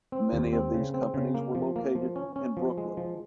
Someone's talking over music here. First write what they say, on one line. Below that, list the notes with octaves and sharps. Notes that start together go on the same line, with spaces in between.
Many of these companies were located in Brooklyn.
C4
D#2
C4
C#3
C4
C#3
A#3
F3
A#3
F3
C#4
C#4
F3
G#3
F3